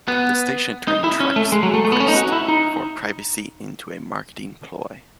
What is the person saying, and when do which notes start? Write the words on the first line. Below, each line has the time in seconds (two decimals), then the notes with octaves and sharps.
The station turned Tracht's request for privacy into a marketing ploy.
0.08 B3
0.88 D#4
1.04 E4
1.20 C#4
1.36 A3
1.52 G#3
1.63 F#3
1.74 A3
1.85 A3
1.92 B3
2.00 C#4
2.08 D#4
2.16 F#4
2.32 E4
2.48 D#4